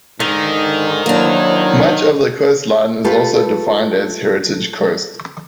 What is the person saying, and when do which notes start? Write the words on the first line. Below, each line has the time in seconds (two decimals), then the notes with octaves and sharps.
Much of the coastline is also defined as heritage coast.
0.20 G#2 D3 D#3
1.06 F#3 A#3 D4 E4 C5 C#5
3.04 A3 F4 G4 B4